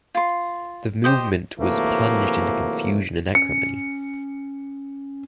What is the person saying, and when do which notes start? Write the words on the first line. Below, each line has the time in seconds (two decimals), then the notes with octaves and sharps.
The movement was plunged into confusion and acrimony.
0.15 F4 C6
1.04 G4 C5 D#5
1.59 G#2 C3 E3 F#3 A3 A#3
3.35 C#4 C#7